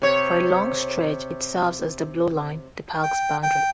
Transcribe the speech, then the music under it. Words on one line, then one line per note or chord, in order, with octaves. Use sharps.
For a long stretch it serves as the Blue Line, the park's boundary.
C3 C#5
G5
G5